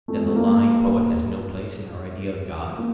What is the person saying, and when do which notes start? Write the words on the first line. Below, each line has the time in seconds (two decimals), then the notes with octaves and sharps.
Then the lying poet has no place in our idea of God?
0.08 A3
0.17 G#3
0.26 A3
0.36 A#3
2.78 A#3